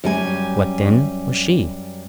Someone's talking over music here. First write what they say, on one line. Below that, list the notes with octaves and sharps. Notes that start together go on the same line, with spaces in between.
What, then, was she?
F#2 G3 G#5